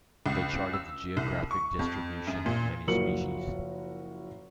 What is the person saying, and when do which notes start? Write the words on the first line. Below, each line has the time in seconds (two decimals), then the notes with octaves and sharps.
They charted the geographic distribution of many species.
0.26 C#2
0.73 E6
1.17 C2
1.51 C#6
1.79 F2
2.27 F#2
2.46 A#2
2.88 F#1 F3 F#4 A#4 C#7 F#7